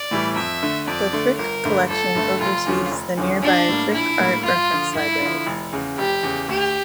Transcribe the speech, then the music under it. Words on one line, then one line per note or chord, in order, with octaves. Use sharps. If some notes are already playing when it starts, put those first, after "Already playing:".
The Frick Collection oversees the nearby Frick Art Reference Library.
Already playing: D5
A2 E3 G3
F2 E5
D3 A3
F2 D5
D3 A3
G1 A#4
G2 D3 A3
G1 A4
G2 D3 A3
F1 F4
E2 D3 F3 C#4
F1
E2 D3 F3 C#4
A#1 D4
A2 G3 A#3
A#1 E4
A2 G3 A#3
G2 F4
D3 F3
G2 E4
D3 F3
F1
E2 C#3
F1 G4
E2 C#3
D2 G4